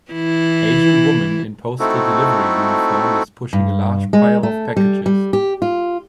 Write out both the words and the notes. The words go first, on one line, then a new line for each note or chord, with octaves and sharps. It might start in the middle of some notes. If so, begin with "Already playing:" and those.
Asian woman in postal delivery uniform is pushing a large pile of packages.
E3 E4
A3 C4 D#4 E4 F#4 A4
G2
G#3
A3
G3
G3
G4
F4